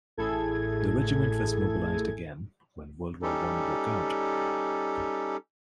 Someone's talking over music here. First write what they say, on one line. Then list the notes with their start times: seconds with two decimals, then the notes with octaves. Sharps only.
The regiment was mobilised again when World War One broke out.
0.17 A1 A2 E4 G#4 A4 G#6
3.22 G3 C#4 D#4 G4 A4